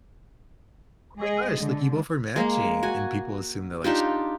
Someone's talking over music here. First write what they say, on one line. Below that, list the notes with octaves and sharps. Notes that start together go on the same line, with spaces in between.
"Oh my gosh, like, you both are matching." And people assume that, like, she
G#3 G#4 D#5
D3 G#3
G#3 A#3
F#4 G#5
D4 D#4 F4 G4